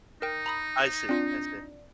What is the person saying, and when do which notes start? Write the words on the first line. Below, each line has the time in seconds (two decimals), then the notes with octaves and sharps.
I see, I see.
0.22 D#4 A#4 G5
0.46 A#5 B5 D#6
1.09 C4 D4 F4